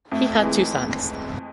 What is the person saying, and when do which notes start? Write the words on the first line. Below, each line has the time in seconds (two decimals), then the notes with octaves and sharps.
He had two sons.
0.12 F2 A3
0.41 E3 G#3